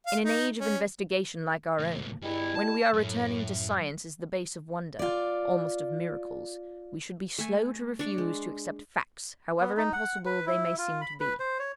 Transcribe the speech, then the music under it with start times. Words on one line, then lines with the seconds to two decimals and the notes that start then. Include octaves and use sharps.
In an age of investigation like our own, when we are returning to science as the base of wonders--almost of miracles--we should be slow to refuse to accept facts, however impossible they may seem to be.
0.07 F5
0.24 D#4
0.60 C#4
1.79 C#2 A2
2.22 G2 G3 G#3 B3 E4
2.55 A5
2.93 F#2 A2
4.99 F4 D5
7.38 A3 G#5
7.99 D4 C#6
8.18 G#3
9.60 B3
9.77 D#4
9.93 F#5
10.26 B4
10.47 E4
10.78 F4
11.01 B5
11.20 B4
11.40 C5
11.59 C#5